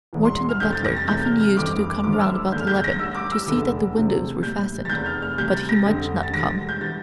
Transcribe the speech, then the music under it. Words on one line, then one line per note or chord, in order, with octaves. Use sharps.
Morton the butler often used to come round about eleven to see that the windows were fastened, but he might not come.
E1 E2 E3
C6
F6
F2 C3 G3 G6
A6
A#6
A6
E2 C3 E3 A3 G6
F6
F6
G1 F2 E3 G3 D6
G1 G2 F3 A3 D6
F6
E6
E2 D3 A3 G6
F6
G6
A#6
A1 A2 G3 E6
D6
E6
F1 E2 D3 A3
E2 C3 F3 A3
A#1 A2 G3 G6
A6
F1 E2 C3 G6
F6
F6
D2 C3 G3 G6
A6
A#6
F2 D3 G3
A6
E1 D2 D3 G3 A#6
G6
E3 G3 A6